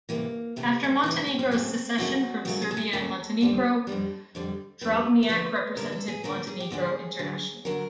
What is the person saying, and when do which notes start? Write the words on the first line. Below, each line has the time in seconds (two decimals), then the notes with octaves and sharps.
After Montenegro's secession from Serbia and Montenegro, Drobnjak represented Montenegro internationally.
0.09 D2 C3 E3 A#3
0.56 D2 C3 E3 A3
0.84 A3
1.03 D2 C3 E3
1.16 C4
1.27 C#4
1.39 C4
1.51 D#2 C#3 F#3 A3
1.98 D#2 C#3 F#3 A3 F#4
2.45 D#2 C#3 F#3 A3 F#4
2.62 G#4
2.71 A4
2.77 G#4
2.93 D#2 C#3 F#3 A3 A4
3.41 F2 D3 G3
3.87 F2 D3 G3
4.35 F2 D3 G3
4.81 F2 D3 G3 B4
5.23 A#4
5.29 D2 D3 F3 B4
5.77 D2 D3 F3 A#4
5.88 A#4
5.92 A4
6.08 G#4
6.23 D2 D3 F3 A#4
6.47 G#4
6.60 G4
6.71 D2 D3 F3 G#4
7.19 D2 D3 F#3
7.65 D3 F#3 A#4